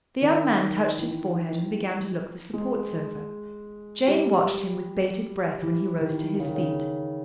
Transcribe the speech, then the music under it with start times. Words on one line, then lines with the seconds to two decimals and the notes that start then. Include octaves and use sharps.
The young man touched his forehead and began to look the supports over. Jane watched him with bated breath when he rose to his feet.
0.22 D#3
0.98 E3
2.53 G#3
4.08 G3
5.62 E3
6.01 D#3
6.40 C#3
6.47 D#3
6.55 C#3